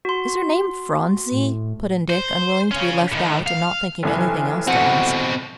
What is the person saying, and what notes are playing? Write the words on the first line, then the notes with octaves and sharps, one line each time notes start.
"Is her name Phronsie," put in Dick, unwilling to be left out, and not thinking of anything else to ask.
F#4 C6
A2
C5
C#3 C#4
A2 D#3
F5
F1 E3 G#5
B2 C4 F#4 F#5